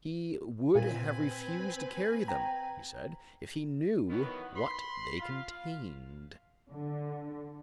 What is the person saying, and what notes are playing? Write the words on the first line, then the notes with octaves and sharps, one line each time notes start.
He would have refused to carry them, he said, if he knew what they contained.
A#2 C4 B4 G#5
G5 A#5
D#3 E3 F#3 B3
B5 C6
F4 F5
D3